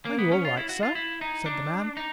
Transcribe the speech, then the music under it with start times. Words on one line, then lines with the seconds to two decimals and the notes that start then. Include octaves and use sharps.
"Are you all right, sir?" said the man.
0.05 A#3
0.19 B3
0.32 C#4
0.45 F4
0.57 E4
0.69 F#4
0.83 F4
0.95 E4
1.21 D#4
1.46 D4
1.97 D#4